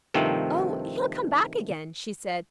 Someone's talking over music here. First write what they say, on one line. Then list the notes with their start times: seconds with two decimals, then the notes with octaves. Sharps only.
"Oh, he'll come back again!" she said.
0.14 G2 C3 D#3 F3 A3 C4